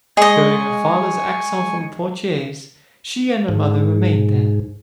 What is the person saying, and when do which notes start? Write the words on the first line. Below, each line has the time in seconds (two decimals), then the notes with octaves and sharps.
During her father's exile from Poitiers she and her mother remained there.
0.17 G#3 G#4 D#5 G#5 C#6
3.49 G#2